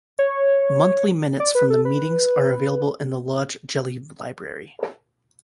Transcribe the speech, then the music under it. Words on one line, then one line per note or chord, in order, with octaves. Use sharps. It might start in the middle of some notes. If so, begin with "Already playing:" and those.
Monthly minutes from the meetings are available in the Lochgelly Library.
C#5
D5
B4
A4
B4